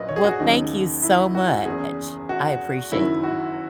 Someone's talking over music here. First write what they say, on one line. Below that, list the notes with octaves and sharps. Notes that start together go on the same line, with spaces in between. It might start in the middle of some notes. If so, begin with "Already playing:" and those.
Well, thank you so much, I appreciate you.
Already playing: A#1 A#2 F#3 B4 D#5
C#5
G#4
F#4
D#2 C#3 F#3 D#4
E4
F#4
F#1 E2 C#3 G#4
F#4
F#1 F#2 D#3 F#3 E4
F#4